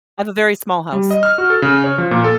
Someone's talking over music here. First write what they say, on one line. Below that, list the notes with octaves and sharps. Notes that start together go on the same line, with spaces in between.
I have a very small house.
G3
D#5
F6
F#4
A4
C#3
C#5
F3
A#2
A4